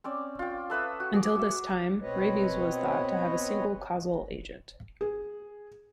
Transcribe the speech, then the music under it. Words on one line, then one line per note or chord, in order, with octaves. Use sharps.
Until this time, rabies was thought to have a single causal agent.
C4 C#4 D5
F4 G5
A4 B4 E5 D#6
F#4
G#4 D6
F#4 E5
B2 C4 B4 C#5 D#5
G#4